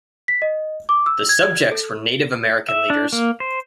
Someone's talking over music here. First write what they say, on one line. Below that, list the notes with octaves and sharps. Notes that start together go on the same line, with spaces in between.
The subjects were Native American leaders.
B6
D#5
D6
E6
G#6
A4
E5
D4
A#3
C5